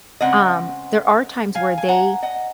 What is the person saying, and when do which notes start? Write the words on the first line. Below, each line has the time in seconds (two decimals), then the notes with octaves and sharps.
Um, there are times where they
0.21 C#3 G#3 C4 D#5 F#5
1.55 F5 G#5
1.78 G#5
1.88 F#5 A#5
2.23 D#5 F#5